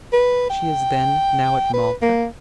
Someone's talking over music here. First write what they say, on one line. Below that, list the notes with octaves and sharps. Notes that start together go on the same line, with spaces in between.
"She is, then, now at Malta?"
B4
G5
B4
A#3